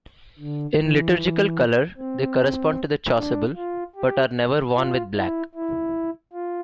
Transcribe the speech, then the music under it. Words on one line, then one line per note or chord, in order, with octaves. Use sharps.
In liturgical colour they correspond to the chasuble, but are never worn with black.
D3
E3
C4
D4
F4
G4
F4
E4
E4
F4